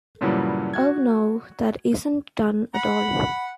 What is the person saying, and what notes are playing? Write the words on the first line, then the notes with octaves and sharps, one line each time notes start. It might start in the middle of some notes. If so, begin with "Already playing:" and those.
Oh, no, that isn't done at all.
G2 A#2 C#3 E3 F#3 G3
F#4 G#6
F#5 B5